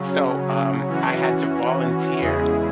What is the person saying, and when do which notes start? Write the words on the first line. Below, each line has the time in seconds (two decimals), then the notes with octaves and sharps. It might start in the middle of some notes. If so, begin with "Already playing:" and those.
so, um, I had to volunteer
Already playing: C#3 F#3 C#4
0.89 E3 C#4 F#4
2.21 E2 C#3 G#3 E4 G#4